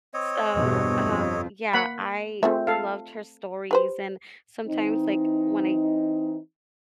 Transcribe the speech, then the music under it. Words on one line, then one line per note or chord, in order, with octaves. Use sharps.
So, um, yeah, I loved her stories, and sometimes, like, when I
C4 C#5 D#5
E2 G2 B2
F2
A#3 F#5 B5
A3 C4 F4 G#4 E5
A4 F5
G4 B4 C5
E3 C4 D#4